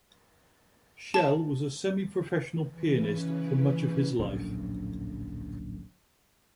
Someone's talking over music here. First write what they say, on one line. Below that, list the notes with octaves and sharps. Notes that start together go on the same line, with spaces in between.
Schell was a semi-professional pianist for much of his life.
A5
C#3 E3 C#4 B4
D1 A#1 F#2 D3